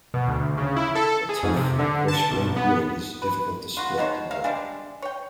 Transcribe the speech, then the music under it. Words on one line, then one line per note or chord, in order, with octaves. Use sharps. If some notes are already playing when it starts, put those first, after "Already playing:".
The tough and coarse-grained wood is difficult to split and work.
B2
D2
C#3
E4
A4
G#4
F2
C3
D3
A5
B1
B3
B4
F4 F#4
B2 D#4 C5 C#5
A#3 E5 F5
G3 G#3 D4
C#5 G5